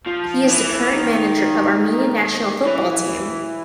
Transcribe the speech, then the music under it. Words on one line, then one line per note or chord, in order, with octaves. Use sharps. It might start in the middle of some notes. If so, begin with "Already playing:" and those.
He is the current manager of Armenia national football team.
F3
D#3
E3
D#3
E3